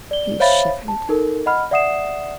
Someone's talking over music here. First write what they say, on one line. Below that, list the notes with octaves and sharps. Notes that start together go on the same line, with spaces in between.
He shivered.
D5 G7
C5 C#5 E5 F5 B5 A6
A5
D#4 A4 A#4
D#5 F#5 B5 F6
D5 E5 F#5 D#6 C7 E7